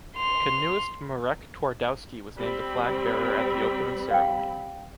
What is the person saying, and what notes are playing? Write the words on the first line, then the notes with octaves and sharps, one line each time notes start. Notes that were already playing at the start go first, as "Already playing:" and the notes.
Canoeist Marek Twardowski was named the flag bearer at the opening ceremony.
C6 F7
G3 C4 B5
F5 G5